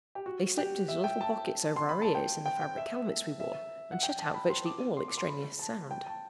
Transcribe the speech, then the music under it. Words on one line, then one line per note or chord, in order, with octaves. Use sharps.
They slipped into little pockets over our ears in the fabric helmets we wore, and shut out virtually all extraneous sounds.
G4
F#4
G4
E5
G5
A5
C6
B5
A5
G5
G5
G5
E5
E5
F#5
G5
A5
B5
C6
D6
C6
D6
C6
B5
A5
G5
A5